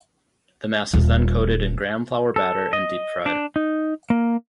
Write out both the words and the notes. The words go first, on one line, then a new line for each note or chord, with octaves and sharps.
The mass is then coated in gram flour batter and deep fried.
D#1 F4
A4
D#5
D4
D#4
A#3